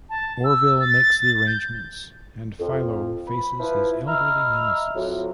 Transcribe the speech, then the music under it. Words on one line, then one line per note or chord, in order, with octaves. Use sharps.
Orville makes the arrangements, and Philo faces his elderly nemesis.
A5
E6
A6
G6
F2
B5
F3 E4 B4
D#5 E5 A#5 B5 E6 F6
F2 A2 F#3